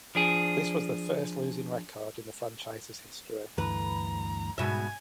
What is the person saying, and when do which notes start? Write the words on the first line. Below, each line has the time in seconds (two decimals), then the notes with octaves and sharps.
This was the first losing record in the franchise's history.
0.15 F3 D4 G#4
3.58 D2 G2 E3 B4 A#5
4.58 G#2 B2 E5 G#5